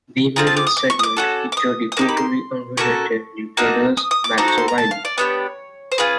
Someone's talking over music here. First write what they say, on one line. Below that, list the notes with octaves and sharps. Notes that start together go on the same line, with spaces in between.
The middle segment featured the totally unrelated The Brothers Matzoriley.
C4 F4 G#4 A#5
A5
D6
D#6
D6
C#6
D#6
D6
C#4 F#4 A4
D6
D#6
D#6
A#3 D#4 G4 D6
B5
C6
A#3 C#4 F#4 A4 C#6
A#3 D#4 F#4 A4
D#6
D#6
D6
C4 D#4 F#4 A4 D6
C#6
C6
A#5
A5
F5
D5
B3 D4 G4 C#5
C5
C#4 F4 G#4 B4